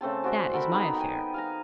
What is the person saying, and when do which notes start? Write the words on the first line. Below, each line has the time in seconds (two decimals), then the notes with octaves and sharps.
'That is my affair.
0.01 C#3 A3 C4 A5
0.24 F#4 C5 D5 E5
0.53 F#4 A4 A#4 B5
0.72 D#3 B3 D#4
0.96 G5 G#5
1.34 F5 G#5 A#5